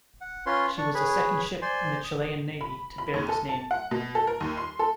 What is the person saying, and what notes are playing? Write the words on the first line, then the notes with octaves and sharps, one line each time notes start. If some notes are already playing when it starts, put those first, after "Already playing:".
She was the second ship in the Chilean Navy to bear this name.
F#5
C#4 F4 B4 C#5 C6
D4 D5 C#6
G#4 B4 C#5 B5
C5 D5 G#5 C6
D#6
B5
B5
D#2
A4
A5
F#5
B2
A4
A#4
D#2
C6
A4